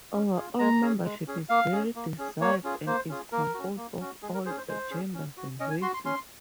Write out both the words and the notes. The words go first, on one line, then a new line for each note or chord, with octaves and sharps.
Overall, membership is very diverse and is composed of all genders and races.
C#4
F4 G#4
G#3 A#5
C#4 G#4
G#3
C#4 G#4
A#3 F5
C#4 G#4
A#3
C#4 G#4
A#3 C#5
C#4 F4 G#4
A#3 C5
C#4 F4 G#4
A#3 A#4
C#4 F#4
A#3
C#4 F#4
G#3 G#4
A#4
C#4 G#4 C5
C5
G#3 C5
C#4 G#4
C#4
F#4
C#4 D#5
G#5
F#4 C6
C6
C#4 C6